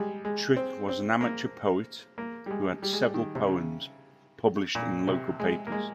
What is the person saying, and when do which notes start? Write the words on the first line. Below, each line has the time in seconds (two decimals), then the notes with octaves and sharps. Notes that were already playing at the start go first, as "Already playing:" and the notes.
Trick was an amateur poet who had several poems published in local papers.
Already playing: G3 G#3
0.25 G#3
0.56 C4
0.89 C4
1.21 A#3
2.18 A#3
2.46 G3
2.51 G#3
2.82 G3
2.93 G#3
3.04 G3
3.14 D#3
3.35 C3
3.46 C#3
4.75 A#2
5.07 C3
5.40 G#3
5.67 A#3
5.72 G#3